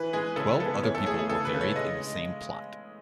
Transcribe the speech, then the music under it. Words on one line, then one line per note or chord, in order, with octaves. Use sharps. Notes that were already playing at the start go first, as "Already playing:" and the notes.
Twelve other people were buried in the same plot.
Already playing: E3 B4
G#3 G#4
C#3 A4
B3 A4
E3 C#5
A4
A3 G#4
G#4
C#3 A4
B4
C#3
C#5
G#3 D#5